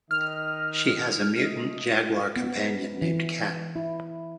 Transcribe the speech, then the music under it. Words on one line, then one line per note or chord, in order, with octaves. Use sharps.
She has a mutant jaguar companion named Cat.
D#3 D#5 F6
A3 D#5
B3
E3
E4